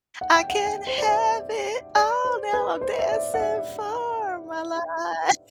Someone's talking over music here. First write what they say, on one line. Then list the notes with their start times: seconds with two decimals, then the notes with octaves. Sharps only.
I can't have it all, now I'm dancing for my life."
0.21 F#5
0.35 G5
0.50 F#5
0.65 G5
0.87 C5
0.98 D5
1.08 E5
1.96 D5
2.25 C5
2.53 B4
2.81 C5
2.99 E5
3.12 D5
3.34 F#5
3.40 E5